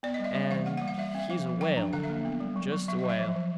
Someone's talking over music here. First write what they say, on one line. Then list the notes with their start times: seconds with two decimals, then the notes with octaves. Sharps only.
And he's a whale, just a whale.
0.03 B3 D5
0.14 D#5
0.19 G3
0.24 E5
0.35 G3 E5
0.51 E3 F5
0.66 A#3 F#5
0.77 G3 F#5
0.88 F5
0.98 G3 E5
1.15 C4 E5
1.30 F3 F5
1.46 F3
1.61 F#3 G5
1.77 D4
1.93 D3 F5
2.03 E5
2.09 A#3
2.25 B3
2.40 G3
2.56 F#3
2.72 F#3
2.88 F#3 E5
2.99 D#5
3.04 F#3
3.10 E5
3.19 F3
3.36 F3